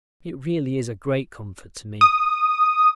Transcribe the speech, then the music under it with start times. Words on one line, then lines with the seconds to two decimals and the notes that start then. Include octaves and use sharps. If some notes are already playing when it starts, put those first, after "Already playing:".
It really is a great comfort to me.
2.01 D#6